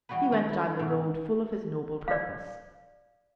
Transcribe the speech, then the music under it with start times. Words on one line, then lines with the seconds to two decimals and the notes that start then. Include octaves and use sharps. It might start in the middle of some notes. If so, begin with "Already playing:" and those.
He went down the road full of his noble purpose.
0.09 E3 G3 F#4 G#4 B4
0.32 D#3 A3 D4 E4
0.49 E4
0.79 G#2 B2
2.08 D5 F5